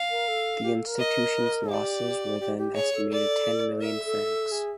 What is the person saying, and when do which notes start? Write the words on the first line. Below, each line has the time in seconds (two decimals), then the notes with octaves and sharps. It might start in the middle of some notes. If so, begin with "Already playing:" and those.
The institution’s losses where then estimated ten million Francs.
Already playing: F5
0.11 A#4
0.28 A4
0.63 G4
0.75 A4
0.87 A#4
0.99 D#5
1.70 G4 D5
2.40 G4
2.58 G4
2.75 G#4 C#5
2.93 A4
3.11 D5
3.82 A#4 E5
3.94 A4
4.05 A4
4.52 G#4